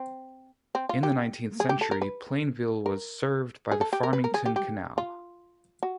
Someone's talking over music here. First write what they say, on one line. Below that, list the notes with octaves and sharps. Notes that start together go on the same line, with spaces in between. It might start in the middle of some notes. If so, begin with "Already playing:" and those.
In the nineteenth century, Plainville was served by the Farmington Canal.
Already playing: C4
C4
F4
G4
G#4
G4
A4
A#4
B4
A#4
G#4
A4
G4
A#4
B4
A#4
G#4
G4
G4
F4
F#4